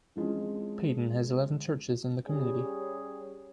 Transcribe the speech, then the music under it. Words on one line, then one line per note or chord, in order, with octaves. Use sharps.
Paden has eleven churches in the community.
E3 F3 G#3 C4 C#4
G3 C#4 G4 G#4